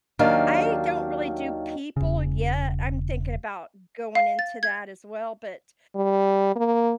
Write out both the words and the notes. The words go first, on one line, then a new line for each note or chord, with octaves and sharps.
I don't really do people yet, I'm thinking about going into that as well, but
D#2 D#3 F#3 D4 F5
E1 C#3
F5
A6
G#6
G3
A#3